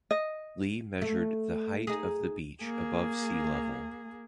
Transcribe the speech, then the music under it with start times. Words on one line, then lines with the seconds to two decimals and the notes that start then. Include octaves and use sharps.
Lee measured the height of the beach above sea level.
0.11 D#5
1.02 A3
1.87 D#4 G#4
2.63 A#3 G#4